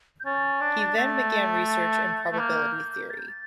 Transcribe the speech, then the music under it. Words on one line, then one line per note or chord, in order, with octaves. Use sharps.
He then began research in probability theory.
G6
C#4 A6
D4
A3
A6
A3
A#3 G6
A6
G6
A6